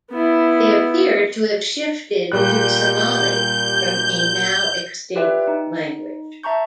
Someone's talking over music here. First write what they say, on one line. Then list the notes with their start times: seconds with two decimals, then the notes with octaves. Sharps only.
They appear to have shifted to Somali from a now-extinct language.
0.11 B3 E4
2.32 A#2 G3 F#6 G6
5.15 F4 G4 B4 D5 E5 G5
5.48 D#4
6.43 E5 A5 A#5 C#6 G6